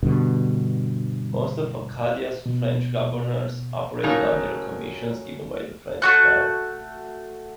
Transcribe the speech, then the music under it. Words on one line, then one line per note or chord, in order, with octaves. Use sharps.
Most of Acadia's French governors operated under commissions given by the French crown.
G2 B2 D3
B2
C#3 F#3 A3 C#4 D#4 A#4
A3 F#4 F#6